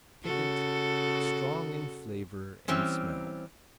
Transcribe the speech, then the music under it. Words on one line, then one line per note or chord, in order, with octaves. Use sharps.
Piquant, strong in flavor and smell.
C#3 F#4 A4
E3 G3 C4 C#4